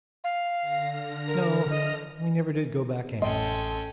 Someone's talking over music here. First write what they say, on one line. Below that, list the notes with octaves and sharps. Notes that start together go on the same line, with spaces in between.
No, we never did go back anywhere.
F5
D3 F6 A#6
A#4
D#5
A1 A2 C#4 A4 D#5 G5 C6